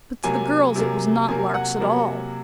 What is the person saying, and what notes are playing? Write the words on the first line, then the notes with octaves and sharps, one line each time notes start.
But to the girls it was not larks at all.
C3 F#3 A#3 G#5
C3 F#3 A#3
C3 F#3 A#3 G#5
F#5
C3 F#3 A#3